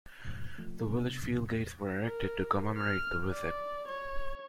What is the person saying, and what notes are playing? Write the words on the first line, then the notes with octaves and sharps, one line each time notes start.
The village field gates were erected to commemorate the visit.
G#1 D2 B2 F3
F3 A3
C3 G3 B3 D4
C#2 A2 C3 F3
E1
A#4
F6
D5
C#5